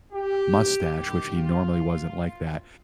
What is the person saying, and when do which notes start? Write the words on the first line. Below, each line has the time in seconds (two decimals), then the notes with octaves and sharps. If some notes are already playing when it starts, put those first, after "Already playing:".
mustache, which he normally wasn't like that,
0.13 G4
0.94 G2 D#3 G4
1.35 F4